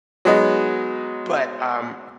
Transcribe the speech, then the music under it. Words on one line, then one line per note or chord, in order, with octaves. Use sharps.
But, um,
F#3 G#3 B3 D#4